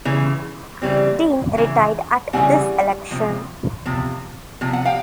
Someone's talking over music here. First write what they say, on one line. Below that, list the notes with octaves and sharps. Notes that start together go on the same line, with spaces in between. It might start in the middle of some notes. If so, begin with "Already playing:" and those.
Dean retired at this election.
C#3 E3
C#3 E3 G3 C4
C#3 E3
C#3 E3 G3 C4 F#5 G#5
C3 F3
C3 F3
C3 F3
F#5
F5 G5